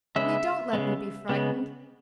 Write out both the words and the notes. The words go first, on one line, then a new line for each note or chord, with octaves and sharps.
"Only don't let me be frightened."
C#3 G#3 B3 E5
C#3 G#3 B3
C#3 G#3 B3